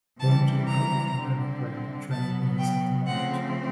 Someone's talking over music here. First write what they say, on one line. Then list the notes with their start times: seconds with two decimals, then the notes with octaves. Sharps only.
Owing to the covid pandemic they are not training minis at the moment.
0.20 C3 E3 G3 A5
0.68 A#5
1.16 D3 G3 C4
2.10 B2 F#3 B3 A5
2.59 G5
3.06 C#3 F3 A3 C4 F#5